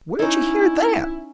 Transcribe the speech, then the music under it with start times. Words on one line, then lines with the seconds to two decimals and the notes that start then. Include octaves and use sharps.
"Where'd you hear that?"
0.19 C#4 D#4 E4